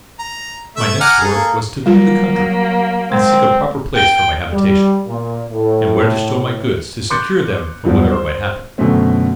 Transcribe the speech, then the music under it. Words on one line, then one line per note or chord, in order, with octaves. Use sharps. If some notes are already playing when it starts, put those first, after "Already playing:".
My next work was to view the country, and seek a proper place for my habitation, and where to stow my goods to secure them from whatever might happen.
A#5
A3 E5 E6
F#5 G#5 A#5 D6 F6
G#4 A4
A#3
F#3 G3 A#3 F4
G#3 C4
G5
G3
A#2
A2
C6 D6 F#6 G6 A6 C#7
E2 G2 F3 F#3
C5
F#2 B2 D3 A3 C4